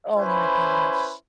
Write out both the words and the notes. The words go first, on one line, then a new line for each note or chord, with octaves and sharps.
Oh my gosh.
C#4 E4 B4 C5